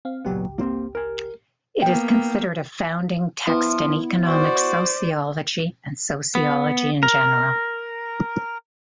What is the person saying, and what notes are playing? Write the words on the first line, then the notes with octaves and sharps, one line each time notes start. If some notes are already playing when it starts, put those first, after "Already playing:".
It is considered a founding text in economic sociology and sociology in general.
C4 F5
G#1 C#2 A#2 F#3 B3 G4
A#3 C4
A#4 G#5
A#3 B3 G5
F3 B3 E4
F#4 C5 D5
B3
A#4